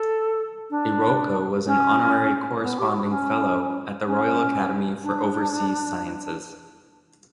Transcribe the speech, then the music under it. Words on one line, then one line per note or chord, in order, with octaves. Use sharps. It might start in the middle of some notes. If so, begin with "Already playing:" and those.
Iroko was an Honorary Corresponding Fellow at the Royal Academy for Overseas Sciences.
Already playing: A4
D4
C#4
B3
G4
F#4
E4
D4
C#4
C#4
D4